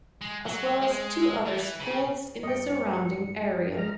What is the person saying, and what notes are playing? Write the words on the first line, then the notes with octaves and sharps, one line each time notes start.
As well as two other schools in the surrounding area.
G#3
F#3
G#3
E3
C#3
G2 D#5 G5 C#7
G#3 A#5 F6